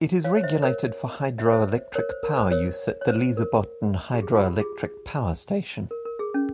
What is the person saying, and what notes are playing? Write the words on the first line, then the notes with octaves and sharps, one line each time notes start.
It is regulated for hydroelectric power use at the Lysebotn Hydroelectric Power Station.
C#5 F5
C#5
C5 E5
A#4 C#5
E5
C#5
C5 E5
A#4 C#5
C5
A#4
C5
A#4 C#5
C#5
C5
A#4
G4
G#4
F4
G4
G#4
A#4
A#4
G#4
C#4